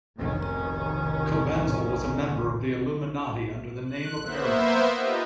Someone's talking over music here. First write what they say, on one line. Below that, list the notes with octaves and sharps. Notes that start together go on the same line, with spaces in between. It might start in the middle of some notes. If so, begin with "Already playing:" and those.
Cobenzl was a member of the Illuminati under the name of Arrian.
F1 B1 A2 D#3 C#4
F#6
A#3 B3 C5 E5
D#4 F4 G4 B4 D#5